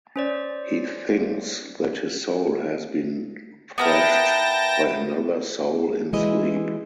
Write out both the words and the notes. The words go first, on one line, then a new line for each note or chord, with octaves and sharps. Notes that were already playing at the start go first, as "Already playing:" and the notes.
He thinks that his soul has been thrashed by another soul in sleep.
C#4 C5 D5
B3 E4 A#4 G5 A5 A#6
E3 G#3 E4 F#4 B4 D#5